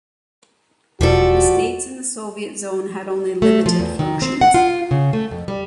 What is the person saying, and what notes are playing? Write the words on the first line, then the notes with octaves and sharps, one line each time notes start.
The states in the Soviet zone had only limited functions.
E1 F3 G3 F#4 A4
A3
F3
E2
D#3
C4
F#5
F4
C#3
A3
F2
G3